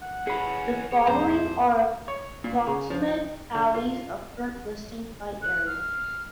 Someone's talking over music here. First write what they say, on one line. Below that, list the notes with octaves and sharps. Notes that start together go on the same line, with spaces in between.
The following are approximate tallies of current listings by area.
F#5
E3 C#4 G#4 B5
G#4 C#5
A#1 F2 C3 C5 A#5
C#5
A#2
C#3
F3
G5
D3
F4
F#6
F6